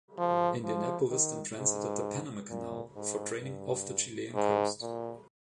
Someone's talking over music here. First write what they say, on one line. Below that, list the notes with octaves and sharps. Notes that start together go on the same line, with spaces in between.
"Indianapolis" then transited the Panama Canal for training off the Chilean coast.
F3
F3
D#3
G#2
A#2
G#2
G2
G#2
A#2